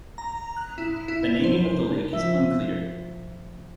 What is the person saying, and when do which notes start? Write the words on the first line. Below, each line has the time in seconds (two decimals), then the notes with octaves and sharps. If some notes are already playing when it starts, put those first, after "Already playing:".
The naming of the lake is unclear.
0.18 A#5
0.57 F#6
0.78 E4
1.08 E4
1.44 C5
2.13 F3 E5